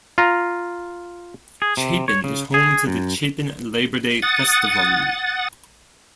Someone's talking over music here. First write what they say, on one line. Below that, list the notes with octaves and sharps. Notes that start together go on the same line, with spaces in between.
Chapin is home to the Chapin Labor Day Festival.
F4 A#5
G#4
C3
C#5
C#3
G#4
F#2
F#5 D#6 A6